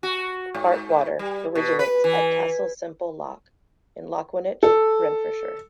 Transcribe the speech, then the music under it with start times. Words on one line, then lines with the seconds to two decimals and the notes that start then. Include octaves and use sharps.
The Black Cart Water originates at Castle Semple Loch in Lochwinnoch, Renfrewshire.
0.03 F#4
0.54 G#2
1.19 G3
1.55 B2
1.79 B4
2.04 E3
4.63 A4